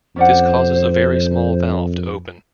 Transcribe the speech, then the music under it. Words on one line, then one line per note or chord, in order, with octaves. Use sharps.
This causes a very small valve to open.
F2 C#4 C5 D5 F#5